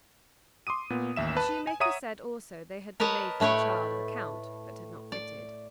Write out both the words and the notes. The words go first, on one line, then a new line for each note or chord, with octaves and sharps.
The shoemaker said also they had been made for the child of a count, but had not fitted.
C6 D6 D#6 D#7
A#2 B3
A1 D#2 E5 E7
B4 A5
G#5
C#5 E5 F#5 A#5 D#6 D#7
A#4 B4 C#5 D#5 A5
A2 A3 B4 C#5 G5
D5